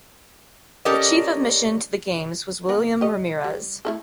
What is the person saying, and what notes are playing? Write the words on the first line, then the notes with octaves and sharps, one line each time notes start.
The chief of mission to the games was William Ramirez.
C#4 G4 A4 A#4 D5 D#5
B3 D#4 B4
G4 D#5
G3
A3 E4 A4